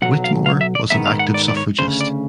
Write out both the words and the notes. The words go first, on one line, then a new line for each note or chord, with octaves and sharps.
Whittemore was an active suffragist.
B1 A2 F#3 F#5
F5
F5
E5
D5
G#2 D#3 G#3 B3 E5
F5
F#5
D5
D5
C#5
D2 C#3 C5
D5